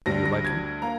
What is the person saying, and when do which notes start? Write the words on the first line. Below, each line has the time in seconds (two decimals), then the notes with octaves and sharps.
"Do you like him?"
0.06 D2 D3 G3 A#6
0.26 A#6
0.45 G#6
0.82 A#3 A#5